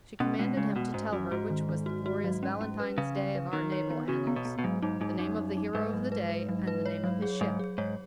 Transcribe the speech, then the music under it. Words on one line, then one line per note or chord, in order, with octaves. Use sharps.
She commanded him to tell her which was the glorious Valentine's day of our naval annals; the name of the hero of the day, and the name of his ship.
B2 C#4
B2 G#3
C#3 G#3
B2 F#4
G#2 C#4
F#2 F#4
G#2 F#4
D#3
D#3
F#4
F#4
F#3
C#4
C#4
B4
C#3 B4
C#4
B4
D#3 B3
C#5
B3
C#3 F#4
B3
B2
B3
B2
G#2 F#3
G#2 D#4
G#2 D#4
F#2 D#4
F#3
D#4
G#2 B4
F#3
B4
B4
F#3
B4
C#5
F#3
G#4
G#2 F#3
G#4
G#2 C#5